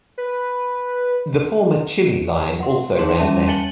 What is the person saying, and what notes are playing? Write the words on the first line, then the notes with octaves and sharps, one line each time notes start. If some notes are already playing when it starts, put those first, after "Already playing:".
The former Chili Line also ran there.
B4
F#5 C6
A#3 D#4 G#4 C#5 C6 E7
G3 C#4 E5 A5 D#7
G#5 A5 A6 C#7 F#7 G7